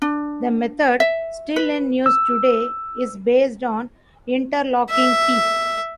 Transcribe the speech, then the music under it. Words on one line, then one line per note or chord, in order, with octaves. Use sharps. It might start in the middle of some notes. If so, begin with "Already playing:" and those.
The method, still in use today, is based on interlocking teeth.
D4
E5
B4
E6
E5